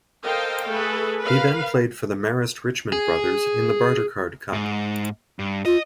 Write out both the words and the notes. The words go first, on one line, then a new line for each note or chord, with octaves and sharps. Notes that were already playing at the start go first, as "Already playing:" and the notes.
He then played for the Marist Richmond Brothers in the Bartercard Cup.
A4 A#4 C5 D#5 F5 G5
A3 G#4 A4 B4
A#4 B4 F5
G#4
G#2
G2
F4 D#5